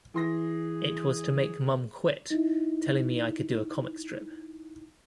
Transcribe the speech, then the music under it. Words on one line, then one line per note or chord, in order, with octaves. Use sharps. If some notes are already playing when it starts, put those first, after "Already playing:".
It was to make Mom quit telling me I could do a comic strip.
E3 G#4 C6 A#6
D#4 E4